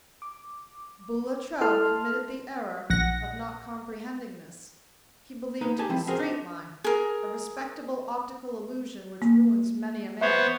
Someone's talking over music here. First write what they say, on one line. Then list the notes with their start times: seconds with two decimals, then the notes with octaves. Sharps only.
Boulatruelle committed the error of not comprehending this. He believed in the straight line; a respectable optical illusion which ruins many a man.
0.22 D6
1.61 E4 A4 A5 C6 F6
2.90 A#1 F#5 A#6
5.61 A#3 D#4 B4
5.78 D#4 G4 G#5 A5
5.89 F3 C4 E4
6.07 C4 C#4 F#4 G#4 A#4 C5
6.19 D4
6.84 G#4 A#4
9.22 A#3
10.21 B3 C5 C#5 E5